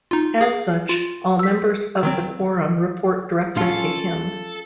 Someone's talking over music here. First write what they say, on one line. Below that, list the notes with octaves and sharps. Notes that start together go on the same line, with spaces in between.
As such, all members of the Quorum report directly to him.
D#4 F4
G#4 F5
F4
E6 B6
D#3 F#3 C4
C#4 F4 A4 A5